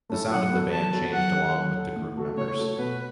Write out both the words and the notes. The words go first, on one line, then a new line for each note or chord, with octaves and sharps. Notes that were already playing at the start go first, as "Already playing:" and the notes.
The sound of the band changed along with the group members.
A3 C#4 E4 A4
F#3 F#5
B3 F#4 A4
F#3 A5
B3 F#4 A4
F#3 F#5
C#4 A4
F#3
C#4 A4
A2
A3 F#4 A4
A2 C#5
A3 F#4 A4
B2 B4